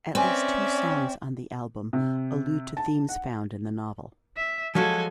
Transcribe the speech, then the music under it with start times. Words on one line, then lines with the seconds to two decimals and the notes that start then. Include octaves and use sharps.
At least two songs on the album allude to themes found in the novel.
0.15 C4 C#4 B4 D5 E5 G#5
1.93 C3
2.77 A5
3.09 F#5
4.37 E5
4.75 F3 F#3 G#3 F#4 A4 G#5